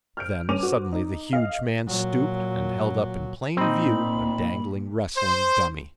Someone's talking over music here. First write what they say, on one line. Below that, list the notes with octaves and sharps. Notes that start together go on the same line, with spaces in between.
Then suddenly the huge man stooped and held up in plain view a dangling wrestling dummy.
F6 G6 D7
G2 C#4 D6 D#7 F7
F#4 C5
D#4
D#5 F5
A#2 F#3
A#2 C4 D#4 B5
C5